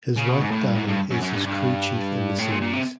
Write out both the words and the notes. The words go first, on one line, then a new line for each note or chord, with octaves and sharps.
His wife Dani is his crew chief in the series.
C#3
B2
G#2
A2
G2
G#2
G2
F#2
F#2
G2
G2
A2
A#2
A#2
C3